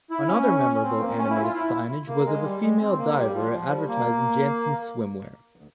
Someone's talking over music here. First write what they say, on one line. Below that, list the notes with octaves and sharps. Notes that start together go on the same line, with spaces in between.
Another memorable animated signage was of a female diver advertising Jantzen swimwear.
E4
C#4
C4
A#3
C#4
E4
F4
E4
A#3
G#3
G3
G#3
C4
A#3
G3
F3
F3
G3
A#3